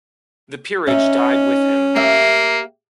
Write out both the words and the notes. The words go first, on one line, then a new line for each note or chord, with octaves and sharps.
The peerage died with him.
C#4 D#4 E5
A#3 G4 E5 F5